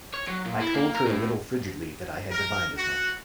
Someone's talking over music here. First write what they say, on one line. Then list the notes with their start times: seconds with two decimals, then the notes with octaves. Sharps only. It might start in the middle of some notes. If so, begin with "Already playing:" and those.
I told her a little frigidly that I had divined as much.
0.14 C#5
0.27 F#3
0.45 A#2
0.60 E4
0.75 A#3
0.95 A#4
1.07 A2
2.31 A#4
2.76 F#4